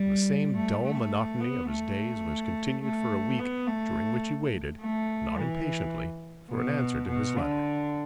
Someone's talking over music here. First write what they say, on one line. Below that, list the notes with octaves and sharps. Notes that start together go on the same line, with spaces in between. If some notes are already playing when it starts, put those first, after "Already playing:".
And the same dull monotony of his days was continued for a week, during which he waited, not impatiently, for an answer to his letter.
Already playing: G3
A3
A3
B3
A3
A3
B3
A3
A3
E3
B2
B2
D3